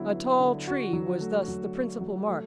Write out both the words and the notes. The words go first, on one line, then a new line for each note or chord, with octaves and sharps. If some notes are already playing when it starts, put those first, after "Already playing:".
A tall tree was thus the principal mark.
Already playing: D3 F#3 B3 E4
B3
D3
F#4
F#3
A3
F#3
F#4
F#3
A3